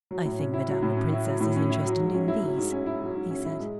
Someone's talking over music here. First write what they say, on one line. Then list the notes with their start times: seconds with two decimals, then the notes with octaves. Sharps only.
"I think madame la princesse is interested in these," he said.
0.11 F#3
0.25 A2
0.39 C#4
0.54 E4
0.68 F#3
0.83 A2
0.97 C#4
1.12 E4
1.27 F#3
1.41 A2
1.56 C#4
1.70 E4
1.85 F#3
1.99 G#2
2.14 C#4
2.28 E4
2.43 F#3
2.57 G#2
2.72 C#4
2.86 E4
3.01 F#3
3.16 G#2
3.31 C#4
3.45 E4
3.60 G#3